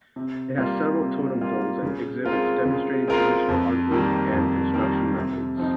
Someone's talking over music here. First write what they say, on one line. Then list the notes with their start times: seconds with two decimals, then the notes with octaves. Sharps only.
It has several totem poles and exhibits demonstrating traditional artwork and construction methods.
0.16 C3
0.58 G3 A#3 F4
0.99 C3
1.41 G3 A#3 F4
1.83 C#3
2.25 G#3 C4 F4 A#4
2.65 C#3
3.08 G#3 C4 F4 A#4
3.49 F2
3.91 D#3 G3 A#3
4.32 F2
4.74 D#3 G3 A#3
5.16 C3
5.57 F3 C4 D#4